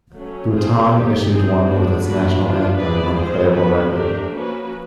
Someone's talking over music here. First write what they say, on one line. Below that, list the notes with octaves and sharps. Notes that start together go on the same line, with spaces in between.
Bhutan issued one with its national anthem on a playable record.
F#3 A3 C#4
A3 C4 F4 G#4 C5
A#3 D#4 G4
C4 D#4 G#4 C5
G#3 B3 D4 F#4
F#3 A#3 D4 F#4 B4
F3 A#3 D4 F4
C4 E4 G#4 B4 D5
G#3 C4 F4 G#4 C5
B3 D4 F#4 B4
A3 D4 G4 A#4
F3 A#3 C#4 F#4 B4